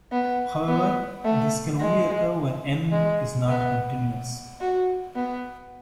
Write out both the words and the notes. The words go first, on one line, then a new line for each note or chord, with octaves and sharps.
However, this can only occur when "M" is not continuous.
B3
B3
A3
G#3
G#3
B3
F#4
B3